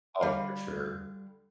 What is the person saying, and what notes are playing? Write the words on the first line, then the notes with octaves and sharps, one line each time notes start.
Oh, for sure.
D3 G3 F5